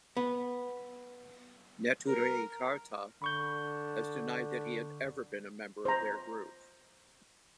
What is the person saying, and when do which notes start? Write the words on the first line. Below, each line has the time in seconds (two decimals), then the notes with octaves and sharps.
Neturei Karta has denied that he had ever been a member of their group.
0.17 B3
2.08 A#4
3.22 D3 B5 C#6 G6
5.85 C5 A#5